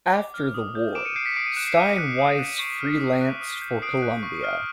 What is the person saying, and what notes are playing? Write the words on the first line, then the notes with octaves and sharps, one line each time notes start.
After the war, Steinweiss freelanced for Columbia.
D6
F6
D#6
G6
D6 D7 E7
C#7 D#7
G6 C7 D7
B6 C#7
D#6 C7 D7
C#7 D#7
F#6 D7 E7
C7 D7
D6 C#7 D#7
F#6
D#6
F#6
C#6 C7 D7
B6 C#7
F6 C7
B6
D#6 C7
F#6
D#6
G6
D#6 C7 D7
F#6
C#6
F6